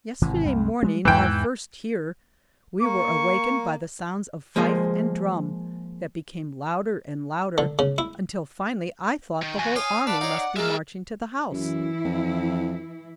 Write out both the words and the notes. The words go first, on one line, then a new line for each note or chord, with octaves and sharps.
Yesterday morning--our first here--we were awakened by the sounds of fife and drum that became louder and louder, until finally I thought the whole Army must be marching to the house.
G#1 C3 E3
C2 F#2
G3 G#3 C4
E2 G#2 E3 G#3 G5
A#3 C#6
F3 G#3 A#3 G#4 C5
D3
C#3
E4
D#3
E2 F#4 G#5
C#5 F5 G5 C6 D#6
B4 D5 F#5 A5
D#4 C#5 F#5
G#3 A#3 F4 E5 F6
F#2 E3 E4
F2